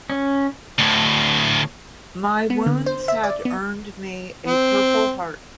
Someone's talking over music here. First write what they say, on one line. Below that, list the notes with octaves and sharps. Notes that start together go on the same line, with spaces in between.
My wounds had earned me a Purple Heart.
C#4
D2 A2
B3
D3
C5
E5
D5
B3
C4